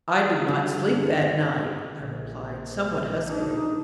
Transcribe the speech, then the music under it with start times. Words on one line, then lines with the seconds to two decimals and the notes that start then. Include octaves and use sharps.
"I did not sleep that night," I replied, somewhat huskily.
0.48 G2 D3 F#4
0.90 E3
1.98 A#1
3.27 D4 D#4